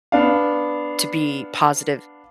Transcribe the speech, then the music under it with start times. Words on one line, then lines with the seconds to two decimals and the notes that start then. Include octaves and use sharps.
to be positive
0.12 B3 D4 F5